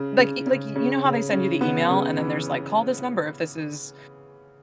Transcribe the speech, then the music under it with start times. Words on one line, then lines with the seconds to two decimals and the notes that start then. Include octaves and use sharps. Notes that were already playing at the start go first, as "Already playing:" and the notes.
like, y like, you you know how they send you the email and then there's like, "Call this number if this is"
Already playing: C#3
0.18 C#3
0.46 C#3
0.76 C#3
1.04 C#3
1.32 C#3
1.61 B3
1.90 C#3
2.18 E3